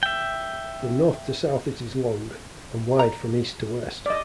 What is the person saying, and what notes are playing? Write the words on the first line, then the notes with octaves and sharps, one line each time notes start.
From north to south it is long, and wide from east to west.
E5 G5
A#5
D5 D#5